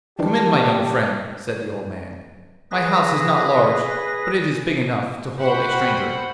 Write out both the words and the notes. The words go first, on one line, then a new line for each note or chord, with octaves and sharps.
'Come in, my young friend,' said the old man; 'my house is not large, but it is big enough to hold a stranger.'
D#3 E3 D4 G4 A5
G#4 B4 A#6
F#4 C5 F#5 G5 B5